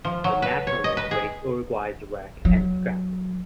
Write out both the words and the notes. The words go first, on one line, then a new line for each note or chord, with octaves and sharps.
The Nationalists raised "Uruguay"s wreck and scrapped it.
F3
F#3
B4
C#5
D#5
B4
G#4
F#3